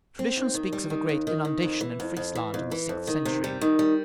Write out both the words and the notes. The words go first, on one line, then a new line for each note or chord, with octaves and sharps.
Tradition speaks of a great inundation in Friesland in the sixth century.
C4
D#2
D#3
G3
D#3
D#2
D#3
D#3
F2
E3
F2
F2
E3
F2
E3
F2
D#3
C3
G3
D#3
G3